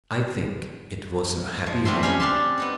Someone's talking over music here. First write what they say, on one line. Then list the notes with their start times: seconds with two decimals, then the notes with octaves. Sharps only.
I think it was a happy home.
1.66 F3
1.85 C3 F#3 G3 A3 E5 C6
2.03 C#4 G4 C#5 F5 G#5 B5
2.20 C4 D4 D5 F5 A5 C6
2.58 B3 D#4 A4